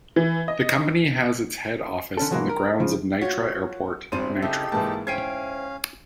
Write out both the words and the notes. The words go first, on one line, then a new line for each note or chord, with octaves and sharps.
The company has its head office on the grounds of Nitra Airport, Nitra.
E3
D#5
D3 C#4 A4
B2 E3 F#3 G#3 A#3
A#4
C#3 F3
F4 F#4 C#5
G#1 G3 C4 D4 E4 C6 D#7
C#3 D#4 G4 A4 E5
G#2 E3 G#3 A#3 E4 A5
C#4 C5 E5 F5 G5 G#6 C7 D#7